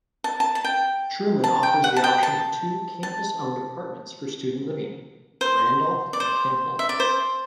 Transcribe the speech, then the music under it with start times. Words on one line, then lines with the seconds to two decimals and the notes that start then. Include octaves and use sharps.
Truman offers the option of two campus-owned apartments for student living: Randolph and Campbell.
0.24 A5
0.40 A5
0.55 A5
0.64 G5
1.44 A5
1.63 G5
1.84 F#5
1.96 A5
2.04 G5
2.23 A5
3.03 A5
5.41 C5
6.13 D5
6.20 C5
6.79 E5
6.89 D5
7.00 C5